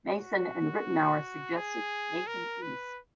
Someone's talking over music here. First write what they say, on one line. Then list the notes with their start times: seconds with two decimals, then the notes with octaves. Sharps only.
Mason and Ritenour suggested Nathan East.
0.14 F#4
1.56 G#4
2.27 A#4
2.62 B4